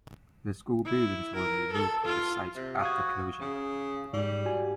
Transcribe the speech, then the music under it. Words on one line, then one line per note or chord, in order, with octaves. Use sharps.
The school buildings were removed from the site after closure.
E4
A#4
A4
F4
C3
F#4 F5 D#6 G#6
C#3
G#2 G3
F#4 G4 G#5